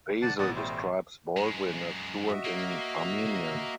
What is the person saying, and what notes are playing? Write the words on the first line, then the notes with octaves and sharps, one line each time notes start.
Basil describes Baldwin as fluent in Armenian.
D5 F#5 A5
A1 B2 D5 F#5 D#6
G3 A3 C5
F#2 G#3
F#4 D#5 E5
A#3